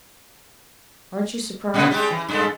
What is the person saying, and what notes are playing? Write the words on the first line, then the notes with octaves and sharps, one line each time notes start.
"Aren't you surprised?"
A#2 C#3
G3 G#3 G4
E3
F#2 G#3 A4